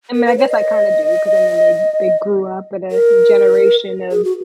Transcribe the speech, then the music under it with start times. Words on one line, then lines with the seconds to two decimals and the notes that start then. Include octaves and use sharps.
I mean, I guess I kinda do, 'cause I mean they they grew up in a generation of
0.15 A#4
0.27 B4
0.38 C#5
0.50 D#5
2.91 A#4
4.12 G#4
4.24 F#4